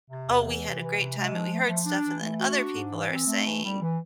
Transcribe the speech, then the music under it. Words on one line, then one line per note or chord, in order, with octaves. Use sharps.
"Oh, we had a great time, and we heard stuff," and then other people are saying,
C3
E2
E3
C3
E3
C3
G#3
F3
A3
F3
D4
E3
A3
F#4
D4
G#2
E3
C4
A3
E3
G3
E3